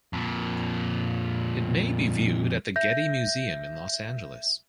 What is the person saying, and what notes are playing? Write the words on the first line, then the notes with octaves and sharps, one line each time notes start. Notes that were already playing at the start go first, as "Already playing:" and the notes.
It may be viewed at the Getty Museum in Los Angeles.
F2 A#2
E5 G6 A#6